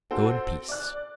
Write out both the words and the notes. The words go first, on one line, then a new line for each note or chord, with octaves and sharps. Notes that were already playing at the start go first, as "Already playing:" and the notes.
Go in peace!
C4 F#4 A4 C5
D5 F#6